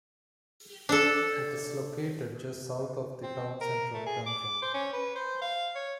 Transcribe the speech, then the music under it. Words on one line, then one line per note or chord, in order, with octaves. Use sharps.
It is located just south of the town centre of Dundrum.
D4 A4
C4
A#4
A3
G#4
D6
C5
C#4
B4
C5
F5
C#5